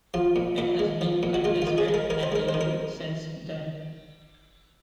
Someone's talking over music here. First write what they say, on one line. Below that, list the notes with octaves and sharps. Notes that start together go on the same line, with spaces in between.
It has been contested annually since then.
F3 F4
A#2
A#2
G#3
F3
A#2
F#4
G#3 F4
F4
D#3
G#4
G#3
A#4
D#3 A#4
C5
G#3 A#4
C5
D#3
A#4